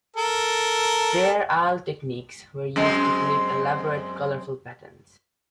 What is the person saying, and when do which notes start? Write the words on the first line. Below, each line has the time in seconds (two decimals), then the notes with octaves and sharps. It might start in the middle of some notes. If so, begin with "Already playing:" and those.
Fair Isle techniques were used to create elaborate colorful patterns.
0.17 A4 A#4
2.76 F#2 G#3 C4